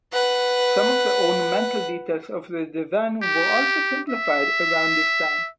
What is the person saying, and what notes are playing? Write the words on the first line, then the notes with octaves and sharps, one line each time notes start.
Some of the ornamental details of the design were also simplified around this time.
B4 F#5
G4
E5